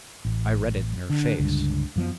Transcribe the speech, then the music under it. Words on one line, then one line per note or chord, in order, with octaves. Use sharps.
I read it in her face.
A1
D3
C#2 G2 D3
F#2 F3 B3